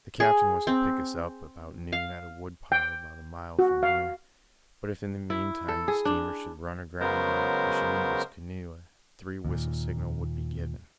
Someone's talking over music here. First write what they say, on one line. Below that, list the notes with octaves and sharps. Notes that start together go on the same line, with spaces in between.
The captain was to pick us up about noon at a woodpile about a mile from here; but if in the mean time the steamer should run aground and he should need his canoe, a three whistle signal would be given.
G#4
C4
F5
G5
F#4
F5
E4
A4
G#4
D4
C#3 F#3 G#3 B3 A#4 C5
D#2 A#2